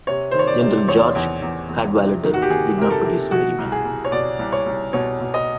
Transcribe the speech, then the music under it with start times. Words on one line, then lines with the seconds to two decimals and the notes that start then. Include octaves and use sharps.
General George Cadwalader did not produce Merryman.
0.07 C3 C#5
0.31 D#3 C5
0.39 C#5
0.47 D5
0.61 C3
0.88 E2 C#5
1.15 E2
1.42 E2
1.69 E2
1.96 C3
2.23 D#3
2.34 F#4
2.42 G4
2.50 D#3 G#4
2.77 C3 A#4
2.91 A4
3.04 C3
3.31 B2 F#4
3.58 C2
3.72 G#4
3.85 C2
4.05 C#5
4.12 B2 D5
4.39 C2
4.52 C#5
4.66 C2
4.93 B2 C#5
5.20 B2
5.34 D#5